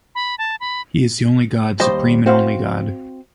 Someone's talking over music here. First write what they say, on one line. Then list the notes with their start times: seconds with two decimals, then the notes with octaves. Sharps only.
He is the only God, supreme and only God.
0.15 B5
0.38 A5
0.60 B5
1.80 D#2 D#3 G3 C5 D#5 G5
2.26 C4 F#4 C5 F5